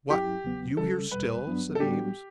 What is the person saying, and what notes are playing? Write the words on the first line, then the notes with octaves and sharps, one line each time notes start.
"What! you here still?" said Eames.
G2 F#3 C#4 E4 G4
E2 C#3 F#3 B3
C#3 G3 C#4 A4
E2 B2 G3 B4
G2 F#3 B3 D4
A4
A2 G3 B3 D4 F#4 G4